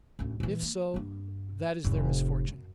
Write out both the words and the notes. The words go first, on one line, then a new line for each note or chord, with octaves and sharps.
If so, that is their misfortune.
A1 D2
A#2 E3
A#3
G2 A#3
F1 A2
F#2